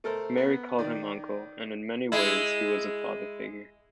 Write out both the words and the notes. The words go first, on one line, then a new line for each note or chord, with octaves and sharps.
Marie called him 'Uncle', and in many ways he was a father figure.
A3 A4 A#4 C5
B3
D#3 D5
G#3 E4